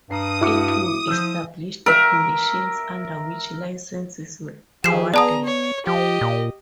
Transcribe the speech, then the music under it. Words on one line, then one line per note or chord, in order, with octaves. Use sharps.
It would establish the conditions under which licences were awarded.
G2 A#5 D#6 C7
E4 F#4 D6 C#7
F3 E6 G6
A#4 E5
F3 G4 G#4 C7 E7
B3 G#4 D5 A5 A#5 D#6
C#5
F3 G4 D#5
A#2